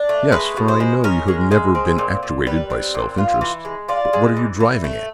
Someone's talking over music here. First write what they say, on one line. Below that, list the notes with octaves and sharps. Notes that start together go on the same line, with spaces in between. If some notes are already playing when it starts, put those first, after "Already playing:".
"Yes, for I know you have never been actuated by self-interest. But what are you driving at?"
Already playing: D4
A3
G#3 B4
B2
C5
G#3
C#4 A#4
G#3
G#3
C4
A#2
A#2
G3 B4
C4
A#2
F4
E3
G#3
F4 D5
G#3
E3
E3
A3